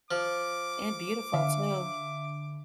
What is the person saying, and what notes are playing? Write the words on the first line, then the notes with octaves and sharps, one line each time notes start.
And beautiful too.
F3 D6
D3 E5 F5